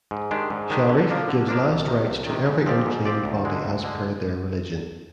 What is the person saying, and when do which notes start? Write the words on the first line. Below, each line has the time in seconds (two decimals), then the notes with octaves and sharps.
Sharif gives last rites to every unclaimed body as per their religion.
0.11 G#2
0.31 D#3 G#3 D4 G4
0.50 G#2
0.70 D#3 G#3 D4 G4
0.89 D3
1.09 F3 A#3 D4
1.28 D3
1.48 F3 A#3 D4
1.68 C2
1.88 C3 D#3
2.07 C2
2.27 C3 D#3
2.46 G#2
2.66 F3 C4 G4 D5
2.86 G#2
3.05 F3 C4 G4 D5
3.25 D2
3.45 D3 G#3
3.65 D2
3.84 D3 G#3